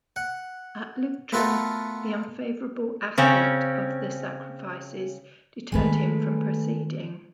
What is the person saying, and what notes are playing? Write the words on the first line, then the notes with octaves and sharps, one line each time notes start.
At Leuctra the unfavourable aspect of the sacrifices deterred him from proceeding.
F#5
A3 B3 F4 F#4 A4 A#4
C#3 C4 C#4
F#2 D#3 G#3 A3 B4